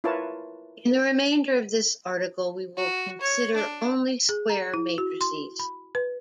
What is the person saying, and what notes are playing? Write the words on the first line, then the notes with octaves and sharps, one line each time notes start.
In the remainder of this article we will consider only square matrices.
E4 F4 A#4 B4 C#5 A5
F#4
C#5
D4
G#4
A#5
E4
F#4
C6
B5
B4